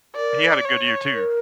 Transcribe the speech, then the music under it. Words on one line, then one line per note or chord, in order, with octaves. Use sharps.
he had a good year too.
A#4 D5
C#5
A#4